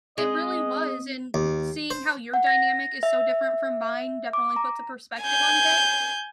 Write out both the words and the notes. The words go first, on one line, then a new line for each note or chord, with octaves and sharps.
It really was and seeing how your dynamic is so different from mine definitely puts a perspective on things,
G#3 C4 D#5
D#2
C5
F#5
A#6
E5
D6
A#5
G#5 G6